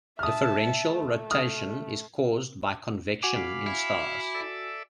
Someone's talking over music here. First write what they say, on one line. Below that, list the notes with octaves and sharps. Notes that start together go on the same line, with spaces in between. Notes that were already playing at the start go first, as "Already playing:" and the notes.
Differential rotation is caused by convection in stars.
E5 A5 D#6 F6
A3
D#6 F6
F#4 G#5 D6
F5 B5
E4
A4 D5 E5